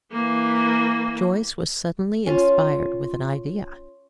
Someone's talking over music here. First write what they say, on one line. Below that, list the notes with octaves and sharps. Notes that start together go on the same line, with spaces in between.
Joyce was suddenly inspired with an idea.
E3 A#3
C#4 F4